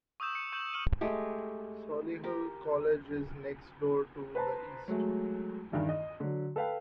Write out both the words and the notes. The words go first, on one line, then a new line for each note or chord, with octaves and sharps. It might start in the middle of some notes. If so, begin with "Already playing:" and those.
Solihull College is next-door to the east.
C#6 D#6 E6 G6 E7
C#7
C#6 G6 E7 F#7
C#6 F6 D#7 F#7
G#3 A3 G4
G4 A#4
B4 C5 A5 A#5
F#3 G#3 A3
E2 G2 D#3 E3
D#5
D3 F#3
A4 B4 F5 G5